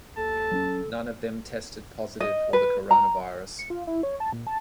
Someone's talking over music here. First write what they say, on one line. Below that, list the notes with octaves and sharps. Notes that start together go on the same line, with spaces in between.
None of them tested positive for the coronavirus.
D#2 A4 A5
F#3 C4 C#4
D#5
B4
A#5
C#7
F4
E4
C#5
A5
A#2
A5